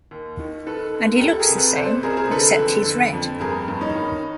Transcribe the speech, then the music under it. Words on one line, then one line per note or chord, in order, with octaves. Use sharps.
And he looks the same, except he's red.
D#2
D#3
D#3 A4 B4
D#2
A#4
C#2 G4 A4
G#4 A#4
C3
A4 B4
C3 C5 D5
C#2 G#4 A#4
G#4 A#4
D3 A4 B4
F2
D3
F2
G2 G#4 A#4
G2
C#4 D#4
D#3